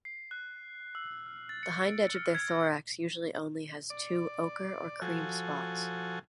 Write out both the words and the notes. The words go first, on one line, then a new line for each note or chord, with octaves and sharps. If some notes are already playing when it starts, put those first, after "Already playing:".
The hind edge of their thorax usually only has two ochre or cream spots.
C7
F#6
E6
F6
A6
C#7
D7
F6
G#6
A#6
D5
F3 F#4 A4 G#5